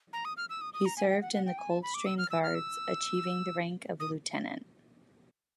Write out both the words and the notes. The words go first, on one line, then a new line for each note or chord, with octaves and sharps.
He served in the Coldstream Guards, achieving the rank of lieutenant.
A#5
D#6
F6
E6
D#6
D#6
A#5
G#5
G5
F#5
F#5
G5
G#5
A5
B5
D6
E6
F6
E6
F6
E6
D#6